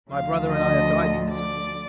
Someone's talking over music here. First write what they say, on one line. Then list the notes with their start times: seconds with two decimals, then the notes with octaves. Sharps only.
My brother and I are guiding this affair.
0.11 D2 D3 F3 F5
0.51 D#5
1.32 D5